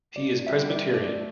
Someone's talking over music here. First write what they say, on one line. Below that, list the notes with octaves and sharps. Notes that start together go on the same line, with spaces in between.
He is Presbyterian.
D5
G3 E5
D5
A3 D5